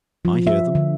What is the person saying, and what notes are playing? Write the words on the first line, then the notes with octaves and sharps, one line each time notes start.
I hear them.
F3
E5
D3